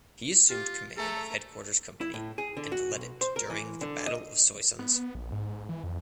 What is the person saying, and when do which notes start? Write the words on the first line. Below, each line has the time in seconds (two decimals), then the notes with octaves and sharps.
He assumed command of Headquarters Company and led it during the Battle of Soissons.
0.50 F4 G4
0.97 A3 G#4 A4 E5 A#5
2.01 E4
2.14 A2
2.38 G#4
2.57 D3
2.72 F#4
2.91 B1
3.21 C5
3.36 A#4
3.50 E3
3.81 D3
4.07 D#5
4.79 B3
5.15 A#1
5.32 G#2
5.69 E3
5.84 F2